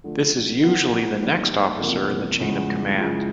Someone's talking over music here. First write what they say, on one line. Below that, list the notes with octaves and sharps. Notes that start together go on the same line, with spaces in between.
This is usually the next officer in the chain of command.
D3 F3 A3
D#3 F#3 B3
D#3 G3 A#3
E2 C3 F3 A#3
E2 C#3 F3 G#3
C#3 F3 G#3 C#4 E4